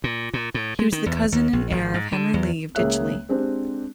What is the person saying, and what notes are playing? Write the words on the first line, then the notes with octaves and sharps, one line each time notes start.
He was the cousin and heir of Henry Lee of Ditchley.
A#2
A#2
A2
G#3
D#3
E2
D#2
A#1
G#1
G#2
D3
E2
C#2 A#3 G#4 C#5 E5 F#6
G#3 C4 D4 G4 C5